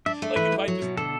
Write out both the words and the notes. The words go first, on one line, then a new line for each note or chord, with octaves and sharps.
Like, if I just
D4 E5
A3
E3 B4
G2
F#3
B2
D3 A4